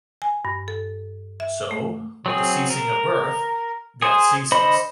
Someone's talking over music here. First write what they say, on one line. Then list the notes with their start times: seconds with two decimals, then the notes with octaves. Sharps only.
So, with the ceasing of birth, death ceases.
0.22 G#5
0.45 G2
0.68 A4
1.40 E5
1.71 A3
2.26 F#3 C4 G#4
2.70 A#4
4.02 G#4 C5
4.52 D3 C5 D#5 B5